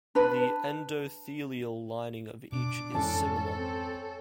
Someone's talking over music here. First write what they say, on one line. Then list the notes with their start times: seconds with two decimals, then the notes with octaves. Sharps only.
The endothelial lining of each is similar.
0.15 D4 B4 B5
2.52 B2 D4 D6
2.94 F2 G#2 E3 C#4 A4 A5
3.56 C4